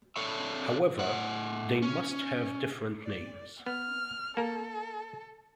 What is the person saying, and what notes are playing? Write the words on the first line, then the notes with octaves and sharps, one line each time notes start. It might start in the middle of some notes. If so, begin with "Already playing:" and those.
However, they must have different names.
D4 A4 C#5 E5
A2 F#5
C#4
D5
B3 F6
A#3 A4 A#4